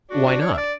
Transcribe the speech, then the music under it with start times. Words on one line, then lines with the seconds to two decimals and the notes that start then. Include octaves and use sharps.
"Why not?"
0.11 D4 F#4
0.26 F#4
0.41 C#5
0.53 E5
0.57 D5